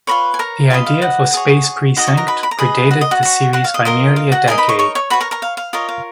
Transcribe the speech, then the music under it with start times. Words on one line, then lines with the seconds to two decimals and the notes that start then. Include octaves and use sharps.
The idea for "Space Precinct" predated the series by nearly a decade.
0.07 F4 A#4 B4 C#5 B5
0.34 G#5
0.39 A#4 A#5
0.70 F4 B4 D#5 F5
0.86 F5
1.02 F#4 F#5
1.34 G#4 C#5
1.97 D#4 F#4 A#4 D#5 A#5
2.07 C#5 C#6
2.17 A#4 A#5
2.28 B4 B5
2.43 B5
2.51 A#5
2.59 G#4 B4 D#5 B5
2.91 F#4 F#5
3.01 D#5
3.11 F#4 F#5
3.23 F#4 C#5
3.53 F#4 F#5
3.64 F5
3.74 D#5
3.85 F4 A#4 D#5
4.16 F5
4.32 F#4 F#5
4.47 D#4 G#4 A#4 D#5 G#5
4.58 B4 B5
4.69 C#5 C#6
4.79 C#5 C#6
4.95 C#5 C#6
5.10 F#4 B4 C#5 B5
5.20 A#4 A#5
5.31 A#4 A#5
5.42 F5
5.57 F5
5.73 F4 A#4 C#5 D#5
5.89 F5